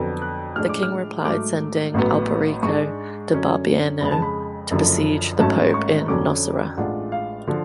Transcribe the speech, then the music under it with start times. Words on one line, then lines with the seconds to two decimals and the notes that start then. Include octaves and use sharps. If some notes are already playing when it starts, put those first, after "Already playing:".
The King replied sending Alberico da Barbiano to besiege the pope in Nocera.
Already playing: F2 D3 F#3 B3
0.22 F#6
0.56 A2 F3 G#3 D4 F6
0.69 D6
0.83 F6
1.25 G#2 F#3 A3 D6
1.94 A1 A2 F#3 B3
2.63 G#2 G#3 D4 C#6
3.32 F#2 D3 F#3 C#4
4.01 F2 C#3 G#3 B5
4.11 A5
4.22 B5
4.71 F#1 F#2 D3 F3
5.39 G#1 G#2 F#3 A3 C#4 A5
5.74 C#6
6.08 F2 D3 F#3 C#4 D6
6.77 A1 A2 G#3 D4 F4 F#5
7.12 F5
7.47 D3 F3